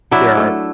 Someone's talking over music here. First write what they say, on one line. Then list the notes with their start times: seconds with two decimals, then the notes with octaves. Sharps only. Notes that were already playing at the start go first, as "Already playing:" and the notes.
there are
0.11 F#3 D4 E4
0.37 A3